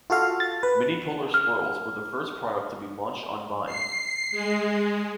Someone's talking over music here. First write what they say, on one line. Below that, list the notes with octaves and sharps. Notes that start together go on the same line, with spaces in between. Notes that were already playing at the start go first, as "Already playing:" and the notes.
Mini Polar Swirls were the first product to be launched on Vine.
F4 F#4 A4 F5
A6
B4
F6
C7
C7
G#3